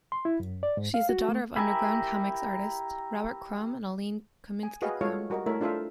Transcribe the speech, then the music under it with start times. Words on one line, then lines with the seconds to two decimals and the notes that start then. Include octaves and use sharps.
She is the daughter of underground comix artists Robert Crumb and Aline Kominsky-Crumb.
0.12 C6
0.25 E4
0.40 F#2
0.63 D5
0.77 G#2
0.94 F5
1.09 F#4
1.29 A3
1.56 E4 G4 A#4 G#5
4.63 G#5
4.82 F#4 G#4 B4 D#5 F5 G5
5.01 G#3 F4 F#4 A4 C#5 F5
5.30 G3 F#4 A#4 D#5
5.46 A3 E4 A4 A#4 C#5 E5
5.61 D4 F4 A4 C5 E5 F5